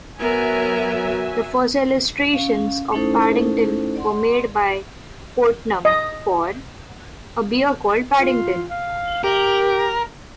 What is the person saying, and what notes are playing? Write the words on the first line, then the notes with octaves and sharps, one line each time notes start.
The first illustrations of Paddington were made by Fortnum for "A Bear called Paddington".
F#3 B3 A#4 E5 G#5
C#4 F5
A3 C#4 D#4 E4 A4 C5
D5 F#5 C6
D#5
F4
F5
G4 A#4